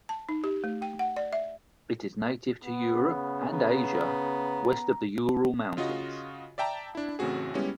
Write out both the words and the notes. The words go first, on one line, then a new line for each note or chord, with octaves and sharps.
It is native to Europe and Asia west of the Ural Mountains.
A5
D#4
G4
A3
G5
F#5
D5
E5
B3
C#3
B3 A#5
C#3 F4 F#4 D#5
D5 E5 G5 A5 A#5
D4 E4
A1 C#3 A3 C4 F#4 G#4
G3 G#3 B3 C#4 E4 G4